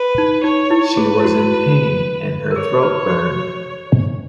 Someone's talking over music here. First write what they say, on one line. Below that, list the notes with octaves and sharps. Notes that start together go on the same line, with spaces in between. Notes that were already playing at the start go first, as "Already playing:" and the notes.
She was in pain, and her throat burned.
Already playing: B4
D#4
D#4 C#5
E4
G#4 B4
E4
F#4
A#4
G#4 C#5
B4
F#4